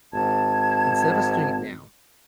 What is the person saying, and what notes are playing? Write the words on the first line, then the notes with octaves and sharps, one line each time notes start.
Instead of us doing it now,
G#1 A5 G#6